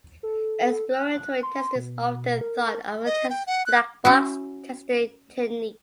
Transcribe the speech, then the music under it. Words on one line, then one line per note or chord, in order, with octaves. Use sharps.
Exploratory testing is often thought of as a black box testing technique.
A4
F#6
C6
B2
A#4
D#5
G5
F#5
F#6
C#4 E4 F#4